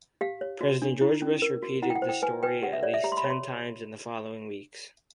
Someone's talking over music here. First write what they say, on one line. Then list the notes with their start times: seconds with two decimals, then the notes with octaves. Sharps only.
President George Bush repeated the story at least ten times in the following weeks.
0.21 G4 F5
0.41 C#5
0.61 F#4
0.82 D4
1.01 E4
1.22 C#4
1.42 A#4
1.63 F#4
1.82 E4 F#5
1.90 G5
1.95 F#5
2.02 C5
2.09 G5
2.22 B4 G#5
2.43 B4 G5
2.63 G4 F#5
2.73 E5
2.83 C#5 D5
2.94 E5
3.04 G4 A#5
3.12 C6
3.17 B5
3.24 C#5
3.30 C6